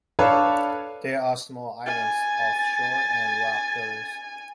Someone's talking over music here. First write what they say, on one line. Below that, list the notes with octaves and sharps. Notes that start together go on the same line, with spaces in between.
There are small islands off shore and rock pillars.
D4 A4 B4 C#5 F5 A5
G#5 A6